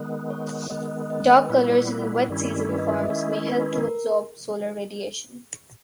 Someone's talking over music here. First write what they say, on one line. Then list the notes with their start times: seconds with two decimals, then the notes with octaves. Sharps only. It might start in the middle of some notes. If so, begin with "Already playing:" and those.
Dark colours in wet-season forms may help to absorb solar radiation.
Already playing: D#3 G#3 B3
0.30 C#5
0.70 D#3 G#3 B3 D#5
1.10 D#5
1.46 B4
1.49 A#2 G3 B3 E4 C#5
2.29 G2 D#3 G3 C#4 E4
2.69 B4
2.78 D#5
2.89 E5
2.99 D#5
3.09 D#3 G#3 C#4 E4 C#5
3.49 B4
3.78 A#4